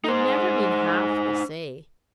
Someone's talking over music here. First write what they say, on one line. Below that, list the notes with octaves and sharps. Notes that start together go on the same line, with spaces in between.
They never mean half they say.
D#4 C5